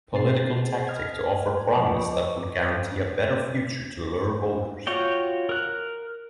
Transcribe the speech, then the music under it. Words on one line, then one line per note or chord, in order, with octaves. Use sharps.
Political tactic to offer promise that would guarantee a better future to lure voters.
B2 C4 G#4 C5 A6 C7
D#5 F6 G#6
F3 B4 D#5 C#6 D6
F4 F#4 C#5 G5
A#4 F#6